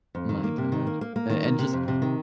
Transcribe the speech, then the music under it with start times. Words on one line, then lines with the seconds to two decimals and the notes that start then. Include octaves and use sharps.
my dad, and and just
0.15 F2
0.29 D#3
0.44 A#3
0.58 C3
0.72 D#3
0.87 A#3
1.01 A#3
1.16 A#3
1.30 D#3
1.44 A#3
1.59 C3
1.73 F2
1.88 C3
2.02 D#3